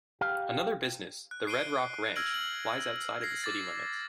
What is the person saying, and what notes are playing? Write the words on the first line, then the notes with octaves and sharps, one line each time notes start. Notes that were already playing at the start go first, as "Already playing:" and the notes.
Another business, the Red Rock Ranch, lies outside of the city limits.
G4 F5
F#6
C7 D7 D#7 G7
E6 F6 G#6 A#6 D7 F#7
F#7
G#6 A#6 C7
D6 A6